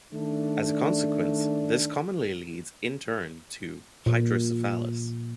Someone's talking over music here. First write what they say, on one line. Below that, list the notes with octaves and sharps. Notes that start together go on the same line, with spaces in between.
As a consequence, this commonly leads in turn to hydrocephalus.
D#3 A3 D4
A#2